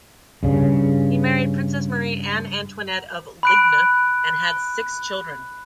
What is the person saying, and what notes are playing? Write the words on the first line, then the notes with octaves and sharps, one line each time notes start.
He married Princess Marie Anne Antoinette of Ligne and had six children.
G2 C#3
B5 F#6 D7